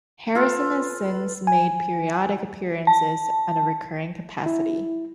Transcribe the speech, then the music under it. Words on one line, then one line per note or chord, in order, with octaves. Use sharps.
Harrison has since made periodic appearances on a recurring capacity.
F4 A4 B4
G#5
A5
E4